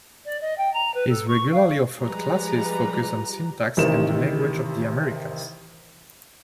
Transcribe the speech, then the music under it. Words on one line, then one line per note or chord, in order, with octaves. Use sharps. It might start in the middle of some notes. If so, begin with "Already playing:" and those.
His regularly offered classes focus on syntax and the languages of the Americas.
D5
D#5
G5
A#5
B4
A4
C#6
F5
F3 G3 G#3 B4 A#5
A1 C3 D#3 E7